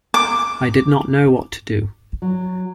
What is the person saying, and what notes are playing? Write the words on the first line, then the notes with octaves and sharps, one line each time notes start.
I did not know what to do.
D6
F#3